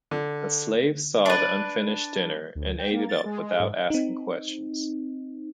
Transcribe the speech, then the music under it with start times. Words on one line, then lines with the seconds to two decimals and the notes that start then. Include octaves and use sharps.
A slave saw the unfinished dinner and ate it up without asking questions.
0.11 D3
1.26 D4 B4
2.55 D2
2.79 G5
2.93 A#3
3.09 A6
3.25 G#3
3.42 G#3
3.60 G#2
3.90 C4 D#4